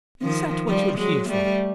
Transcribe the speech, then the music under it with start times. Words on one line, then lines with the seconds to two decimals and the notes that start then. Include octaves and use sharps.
Is that what you're here for?
0.22 D#3 F3
0.68 F3 G3
0.98 F#3 G#3
1.29 G3 A3